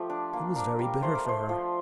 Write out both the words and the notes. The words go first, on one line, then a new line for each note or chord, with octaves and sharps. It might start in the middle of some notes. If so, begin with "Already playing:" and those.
It was very bitter for her.
Already playing: F3 A3 G4
D4
A#3
D4 A#4
G3
A3 C5
A#4
A3 C5
F3